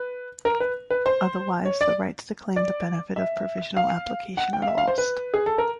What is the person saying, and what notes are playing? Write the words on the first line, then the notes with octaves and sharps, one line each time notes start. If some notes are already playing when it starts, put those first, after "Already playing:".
Otherwise, the rights to claim the benefit of provisional application are lost.
Already playing: B4
A#4
B4
B4
C5
C#5
D5
D5
E5
F5
F#5
G5
F5
E5
F5
C5
B4
G#4
A4
A#4